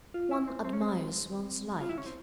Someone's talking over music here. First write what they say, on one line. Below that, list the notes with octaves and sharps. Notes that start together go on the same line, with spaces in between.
One admires one's like.
F4
E4
C4
C4
C#4
C4
F4
E4
C#4
C4